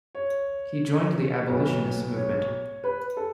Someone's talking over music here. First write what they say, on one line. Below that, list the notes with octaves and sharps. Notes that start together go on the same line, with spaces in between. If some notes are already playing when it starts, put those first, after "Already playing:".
He joined the abolitionist movement.
C#5
B1 B2 F#3 B4
C#5
B4
A4